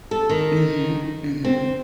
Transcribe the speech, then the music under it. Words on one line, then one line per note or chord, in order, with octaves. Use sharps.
Mhm, mhm.
A4
D#3
C4